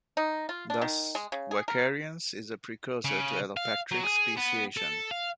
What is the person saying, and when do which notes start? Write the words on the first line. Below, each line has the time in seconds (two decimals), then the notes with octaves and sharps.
Thus vicariance is a precursor to allopatric speciation.
0.17 D#4
0.49 F4
0.70 D4
0.82 D#3
1.15 G#3
1.32 C#3
1.51 G#4
1.68 A#4
3.05 C#3
3.57 F5
3.91 F#3
4.04 G#4
4.38 B3
4.77 A4
5.11 F5